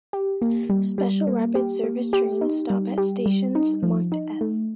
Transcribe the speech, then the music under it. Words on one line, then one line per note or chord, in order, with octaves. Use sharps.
Special Rapid Service trains stop at stations marked "S".
G4
A#3
G3
G3
A#3
G4
A#3
G4
D#4
G3
G4
G3
D#4
F3
D#4
A3